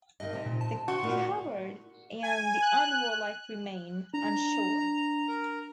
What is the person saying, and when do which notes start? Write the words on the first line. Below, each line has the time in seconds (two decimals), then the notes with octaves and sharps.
The coward and the unwarlike remain unshorn.
0.20 G2 D#3 D#5
0.33 C3 D#4
0.46 A#2
0.61 A5
0.88 F#4 C6
1.03 A#2 D#3 B3
2.23 G#5
2.62 F#6
4.14 D4 A#5
5.28 A#4